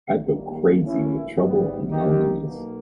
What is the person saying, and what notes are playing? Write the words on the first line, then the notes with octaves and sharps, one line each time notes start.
I’d go crazy with trouble and loneliness.
D#2 D#3 G3 A#3
B1 B2 A#3 C#4 E4
G#2 G3 B3
G#1 G2 D#3 A#3 D#4 G4
B1 B2 A#3